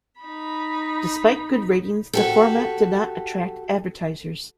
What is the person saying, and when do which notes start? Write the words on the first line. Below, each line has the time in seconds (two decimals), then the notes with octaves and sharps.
Despite good ratings, the format did not attract advertisers.
0.21 D#4 B5
2.13 F#4 G4 A4